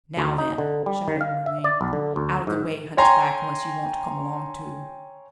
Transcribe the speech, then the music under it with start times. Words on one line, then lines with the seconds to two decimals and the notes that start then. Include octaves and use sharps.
"Now then," shouted Merlin, "out of the way, hunchback, unless you want to come along too."
0.17 D2
0.38 D#4
0.58 D3
0.86 G3
1.08 D#3
1.21 F5
1.46 E5
1.64 D5
1.81 B1
1.93 D3
2.16 D2
2.47 G#2
2.97 C#5 G5 G#5 A#5 C6